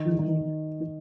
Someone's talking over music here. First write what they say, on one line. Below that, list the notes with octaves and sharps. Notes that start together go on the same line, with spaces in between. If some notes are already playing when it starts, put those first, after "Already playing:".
Mhm, mm.
Already playing: D#3
D#3